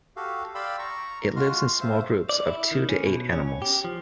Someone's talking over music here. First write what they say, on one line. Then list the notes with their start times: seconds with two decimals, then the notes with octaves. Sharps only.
It lives in small groups of two to eight animals.
0.16 F#4 G4 A4 F5
0.55 D5 F5 G5 B5 C6 E6
0.79 A#5 C#6
1.36 G#3 F4 F#4 C6 F6
1.80 C5 E5 F5
2.29 D5
2.47 E4
2.71 D#3
2.89 C#4
3.07 B2
3.32 C#4
3.62 G4
3.84 F3